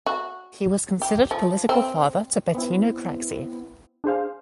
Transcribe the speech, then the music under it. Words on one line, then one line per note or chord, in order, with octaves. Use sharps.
He was considered political father to Bettino Craxi.
F#4
G4
F3
C4
B3 C4 E4
D4 G#4 C5 F5